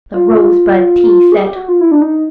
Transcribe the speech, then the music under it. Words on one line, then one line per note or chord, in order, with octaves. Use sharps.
The rosebud tea set!
F4
G#4
G4
F#4
F4
E4
D4
D#4